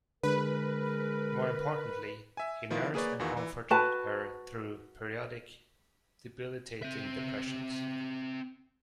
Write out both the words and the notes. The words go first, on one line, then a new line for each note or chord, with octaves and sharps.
More importantly, he nursed and comforted her through periodic debilitating depressions.
D3 G#3 A#4 B4
E5 G#5
D#3 F3 B3 E4 F4
A#3 G#4 B4 C#5 D5
E2 D#3 E3 F4 F#4
E3
F#4 B4 A5
C4 E5